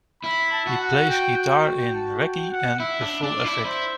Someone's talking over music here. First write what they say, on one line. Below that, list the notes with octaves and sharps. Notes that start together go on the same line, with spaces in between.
He plays guitar in Reggie and the Full Effect.
E4 B5
A5
F#4
F#5
G5
G5
G5
A5
G5
F#5
E4 E5
D4
D4 D5
E4
E4 C5